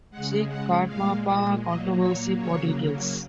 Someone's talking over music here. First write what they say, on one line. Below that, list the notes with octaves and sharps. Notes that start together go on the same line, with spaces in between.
See Karmapa controversy for details.
C#3 G#3 F#5
F#5
A#2 G#3 F5
A#2 F#3 A#3 D#5
C#5
C#3 F#3 A#3 C#5